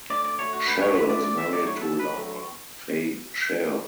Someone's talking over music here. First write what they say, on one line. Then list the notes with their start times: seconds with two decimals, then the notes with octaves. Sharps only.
Shell is married to Laura Fay Shell.
0.10 D2 D5
0.25 D5
0.38 D3 A3 C#5
0.53 F#4
0.67 D2 B4
0.82 C#5
0.95 D3 A3 B4
1.10 D5
1.23 E2 D5
1.38 E5
1.52 D3 F#3 A3 D5
1.67 C#5
1.77 B4
1.81 E2 A4
2.00 B4
2.09 D3 F#3 A3